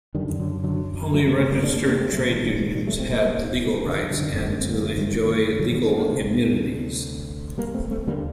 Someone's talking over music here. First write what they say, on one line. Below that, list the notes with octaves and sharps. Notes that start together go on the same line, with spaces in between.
Only registered trade unions had legal rights and to enjoy legal immunities.
F#2 D3 D#3 G3
D3 F#3
D3 F#3
F#3 A3
G3 A#3
A3 C4
G3 A#3
A#3 D4
A#3 D4
A#3 D4
A3 C4
C2 A#2 F#3 A3
D#3 G3
D3 F#3
D#3
D#3 G3
F#3 A3
A3 C4
G3 A#3
D3
D#3
F#3
D3 D#3 G3
F#2
D#3 G3
A3 C4
A#3 D4
A3 C4
G3 A#3
F#3 A3
D#3 G3
D#3
D3 F#3
D#3 G3
A#3 D4
A#3 D4
D2 C3 A3 C4
G3 A#3
A3 C4
A3 C4
D#2 D3 G3 A#3